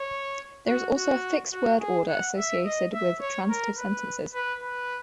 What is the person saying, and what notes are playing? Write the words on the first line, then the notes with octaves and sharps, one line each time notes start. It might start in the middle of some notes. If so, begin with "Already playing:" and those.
There is also a fixed word order associated with transitive sentences.
Already playing: C#5
F#4
F#4
F#4
G#4
F#5
E5
D#5
E5
C#5
A#4
B4
B4
B4